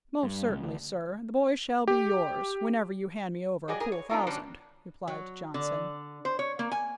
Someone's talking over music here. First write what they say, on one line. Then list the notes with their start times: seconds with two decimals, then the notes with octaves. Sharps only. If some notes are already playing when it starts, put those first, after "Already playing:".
"Most certainly, sir, the boy shall be yours, whenever you hand me over a cool thousand," replied Johnson.
0.23 G2
0.49 C#2
0.63 D2
1.88 G4
3.68 F#3 G3 G#4 D5 D#5
3.80 G#4 A#4 G#5
3.92 C#5
4.09 B3 C4 D4 D#4 F4 A#4
4.27 D3 F#3 G3 C#4 D4
5.08 F#3
5.54 D3
6.25 C5
6.39 C#5
6.59 A#3
6.72 G#5